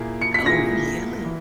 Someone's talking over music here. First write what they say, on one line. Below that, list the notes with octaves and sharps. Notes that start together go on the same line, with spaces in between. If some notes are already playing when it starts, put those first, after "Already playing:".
Oh, really.
Already playing: A#2 A#3 E4 G#4
C#7
B6
A#2 A#3 E4 G#4 A#6
E3